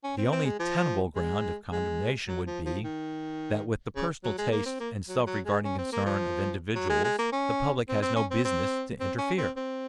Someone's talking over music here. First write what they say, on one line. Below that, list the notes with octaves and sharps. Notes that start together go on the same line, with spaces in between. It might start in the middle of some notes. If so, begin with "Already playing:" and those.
The only tenable ground of condemnation would be, that with the personal tastes and self-regarding concerns of individuals the public has no business to interfere.
C#4
C4
C4
G#3
F3
G#3
G#3
F#3
F3
F3
D#3
C#3
F#3
G#3
A#3
C4
A#3
F#3
F#3
G#3
C#4
C4
A#3
F3
F#3
G#3
G#3
A#3
C#4
C4
C4
C#4
C4
C4
C4
C#4
C4
C4